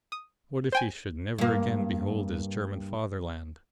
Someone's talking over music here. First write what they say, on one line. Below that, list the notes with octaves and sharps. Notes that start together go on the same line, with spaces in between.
What if he should never again behold his German fatherland?
D#6
C5 G5 G#5
G2 A#3